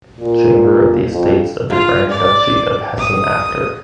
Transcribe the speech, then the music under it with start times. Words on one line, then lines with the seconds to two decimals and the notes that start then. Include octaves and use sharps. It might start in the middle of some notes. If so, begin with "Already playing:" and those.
Chamber of the Estates of the Grand Duchy of Hessen after.
0.20 A#2
1.12 F2
1.70 F4
2.10 D5
2.99 D#6